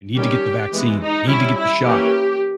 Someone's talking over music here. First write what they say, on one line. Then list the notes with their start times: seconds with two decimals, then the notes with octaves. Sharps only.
I need to get the vaccine, I need to get the shot,
0.15 D#3 G3 C#4 G4
0.72 E3 G#3 B3
1.00 D#4
1.27 G3 C#4 E4
1.56 E4
1.84 E3 A#3 C#4 G4